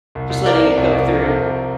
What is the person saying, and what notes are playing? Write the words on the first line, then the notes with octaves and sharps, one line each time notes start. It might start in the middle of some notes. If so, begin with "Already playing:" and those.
just letting it go through.
C2
C2
F3 A#4 D5
C3
C2
C2
F3
C3
C2